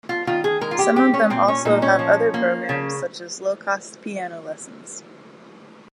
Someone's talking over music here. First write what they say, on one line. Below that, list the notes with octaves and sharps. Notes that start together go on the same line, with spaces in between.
Some of them also have other programs, such as low cost piano lessons.
F4
D#3 F4
G#4
G#3 A#4
F4
G4
C4 G4
C#4
A#2 C4
C#4
A#2 D#4
C#4
F3
A#3
C#3